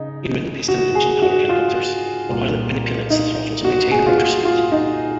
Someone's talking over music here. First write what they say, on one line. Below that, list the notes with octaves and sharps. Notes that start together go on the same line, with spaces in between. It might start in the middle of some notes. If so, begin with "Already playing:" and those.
In many piston engine-powered helicopters, the pilot manipulates the throttle to maintain rotor speed.
Already playing: C#3 D#4
F#4
G#4
F#4
F4
C2 A#2
D#4
F#4
G#4
F4
F#4
F4
D#4